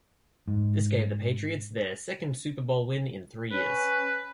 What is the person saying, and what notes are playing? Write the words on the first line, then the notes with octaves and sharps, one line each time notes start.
This gave the Patriots their second Super Bowl win in three years.
G#2
C#4 B4